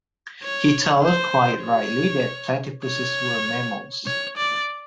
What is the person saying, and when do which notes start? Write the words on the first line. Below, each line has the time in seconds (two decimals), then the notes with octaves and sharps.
He thought, quite rightly, that platypuses were mammals.
0.43 C#5
1.03 C5
1.64 C#5
2.85 C#5
4.06 C#5
4.37 D5